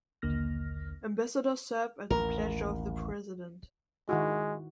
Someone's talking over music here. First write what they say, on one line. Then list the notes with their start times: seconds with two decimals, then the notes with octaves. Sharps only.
Ambassadors serve at the pleasure of the president.
0.22 A#1 D#2 D3 A#3 F6 A#6
2.10 A1 D#2 A#4
4.09 D#3 G#3 E4 F#4